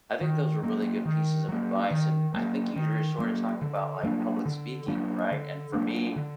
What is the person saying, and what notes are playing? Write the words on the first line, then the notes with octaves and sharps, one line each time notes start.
I think those are really good pieces of advice, and I think you're sort of talking about, like, public speaking right? And for me
D#3
F#3 A#3
D#3
F#3 A#3
D#3
F#3 A#3
D#3
F#3 A#3
D3
F#3 A#3 D4
D3
F#3 A#3 D4
D3
F#3 A#3 D4
D3